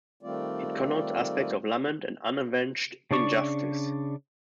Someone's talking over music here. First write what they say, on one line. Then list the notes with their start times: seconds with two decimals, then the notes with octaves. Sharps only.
It connotes aspects of lament and unavenged injustice.
0.23 D#3 G3 A3 C4 F4 D5
3.11 C#3 D4 D5 C#6